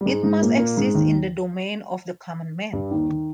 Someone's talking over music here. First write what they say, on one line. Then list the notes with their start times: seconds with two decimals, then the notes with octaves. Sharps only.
It must exist in the domain of the common man.
0.01 G3
0.06 G#2 G#3
0.24 G#2 G#3
0.41 A#2 A#3
0.59 A#2 A#3
0.76 G#2 G#3
0.94 D#2 D#3
2.73 G2 G3
2.91 D#2 D#3
3.09 D#3